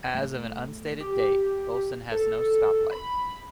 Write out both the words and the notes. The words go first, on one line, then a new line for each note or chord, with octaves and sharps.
As of an unstated date, Gholson has no stoplight.
A3
G4
A4
B5